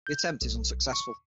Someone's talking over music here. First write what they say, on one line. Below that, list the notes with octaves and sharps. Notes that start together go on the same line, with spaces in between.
The attempt is unsuccessful.
G6
B1
C#6